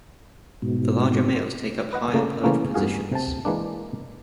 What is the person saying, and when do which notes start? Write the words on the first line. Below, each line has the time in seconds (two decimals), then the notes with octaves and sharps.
The larger males take up higher perch positions.
0.62 G#2 B2
1.93 B4 D#5 F#5
2.13 C#3 A3 A#3
2.43 C#3 E3 A3 A#3 C#4
2.74 E2 G2 F#4 G#4 F5
3.12 C3 A5
3.45 E3 G#3 A#3 D4